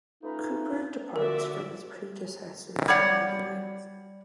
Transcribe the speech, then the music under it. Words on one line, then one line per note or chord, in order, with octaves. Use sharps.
Couperin departs from his predecessors in many ways.
A3 C#4 D#4 F4 B4
D#2 A#2 D3 F3 F#4 A#4 D5 E5
G3 C#5 D5 F#5